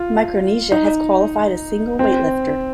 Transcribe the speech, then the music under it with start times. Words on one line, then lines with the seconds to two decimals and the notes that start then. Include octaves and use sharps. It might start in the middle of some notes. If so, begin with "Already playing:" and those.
Micronesia has qualified a single weightlifter.
Already playing: F4
0.72 D#4
1.99 C4